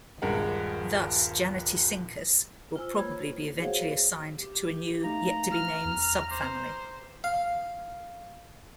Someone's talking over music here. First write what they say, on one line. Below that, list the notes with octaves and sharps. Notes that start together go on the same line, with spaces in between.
Thus, "Janetaescincus" will probably be eventually assigned to a new, yet-to-be-named subfamily.
D#1 G2 G#3 A#4 F#5
F4 C5 G#5 E6
A#3 B4 C#5 B5 G#6
F#4 G#4 C5 C#5 F5 F#5
G4
A3 D#4 F5 A#5
F6
E2
C5 D6
F5